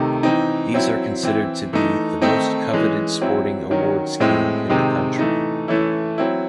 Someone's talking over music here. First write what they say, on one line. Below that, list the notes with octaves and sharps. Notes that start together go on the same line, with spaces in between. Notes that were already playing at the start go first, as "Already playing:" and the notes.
These are considered to be "the most coveted sporting award scheme in the country".
Already playing: C3 D#3 A3 D#4
E3 C4 D#4
F#3 C4 E4
E3 C4 E4
E3 A3 D#4
D#3 A3 C4 D#4
E3 G#3 C#4
F#3 C4 E4
D#3 F#3 C#4
A2 G#3 C4 E4
C3 D#3 G#3 C4
E3 A3 D#4
E3 A3 C#4 E4
F#3 C4 E4